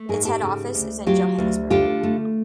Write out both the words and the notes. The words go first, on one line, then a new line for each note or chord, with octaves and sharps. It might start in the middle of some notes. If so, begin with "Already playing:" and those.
Its head office is in Johannesburg.
Already playing: A3
G#2 G#4 A#4
G4 A4
C#3
D2
F#3 F4 G4
D2
D3 F4 G4
A3